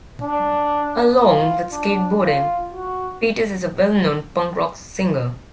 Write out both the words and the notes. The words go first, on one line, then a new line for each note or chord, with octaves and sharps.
Along with skateboarding, Peters is a well-known punk rock singer.
D4
F4
D4
F4
F#4